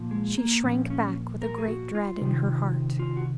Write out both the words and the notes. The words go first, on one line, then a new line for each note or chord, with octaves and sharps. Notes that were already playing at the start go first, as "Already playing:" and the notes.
She shrank back with a great dread in her heart.
Already playing: A#2 F3
G#3
A#3
A#2 F3 C#4
C#4
A#4
G#4
F#4
F4
C3 D#3
F4
F#4